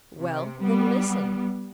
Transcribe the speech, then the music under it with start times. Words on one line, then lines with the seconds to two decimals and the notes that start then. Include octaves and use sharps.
"Well, then, listen."
0.20 C3
0.60 G3 B3